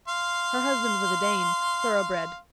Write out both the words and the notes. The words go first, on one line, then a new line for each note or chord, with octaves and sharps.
Her husband was a Dane, thoroughbred.
F5 C6